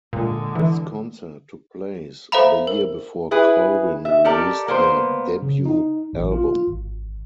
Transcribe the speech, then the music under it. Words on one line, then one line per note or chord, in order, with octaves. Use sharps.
This concert took place the year before Colvin released her debut album.
A#2 D3 G#3
E3
A4 C5 E5 F5 A#5 B5
A#4
E4 G#4 B4
E5
G4 A4 A#4 D5
A#3 B3 C5
C#3
D#4
A1
F4
G#1